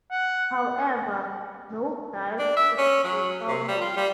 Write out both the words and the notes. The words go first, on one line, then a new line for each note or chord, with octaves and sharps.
However, no glyphs could be salvaged.
F#5
D4
E5
C#4
F#3
C3
G3
F4
G3